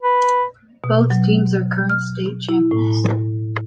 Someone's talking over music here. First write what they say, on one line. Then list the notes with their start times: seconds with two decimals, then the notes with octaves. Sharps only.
Both teams are current state champions.
0.02 B4
0.84 B2
1.10 F#3
1.90 F6
2.49 E4
2.71 A2